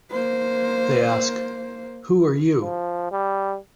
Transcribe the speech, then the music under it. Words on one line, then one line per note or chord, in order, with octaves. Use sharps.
They ask, 'Who are you?
A#3 C5
F3
G3